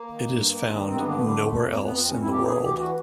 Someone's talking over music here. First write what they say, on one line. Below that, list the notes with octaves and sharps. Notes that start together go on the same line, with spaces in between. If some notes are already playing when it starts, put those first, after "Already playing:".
It is found nowhere else in the world.
Already playing: A#3
D#3
G2
D#3
G2
D#3
G2 C4
B3
D3 A#3
A3
D3
G3
F2 A3
F2
F2 A#3
F2 B3
F2 C4
C#4
F2 E4
E3 G4
D2 G#4
E3 G4
E3 F#4